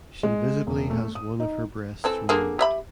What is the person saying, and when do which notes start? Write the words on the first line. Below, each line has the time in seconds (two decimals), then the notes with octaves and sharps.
She visibly has one of her breasts removed.
0.23 G#3
0.67 E1
0.90 A3
1.15 D#6
1.40 D#4
2.04 E3 C4 A4
2.29 D3 A#3 G#4
2.59 G4 E5 B5